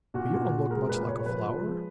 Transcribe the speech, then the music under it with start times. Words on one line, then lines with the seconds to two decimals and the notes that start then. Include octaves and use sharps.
"But you don't look much like a flower."
0.14 A#2 F#4
0.33 A#2
0.51 A#2
0.70 G#3 A#4
0.89 A#2 B4
1.07 A#2 C#5
1.19 C#5
1.26 F3 B4
1.45 F3
1.63 G#3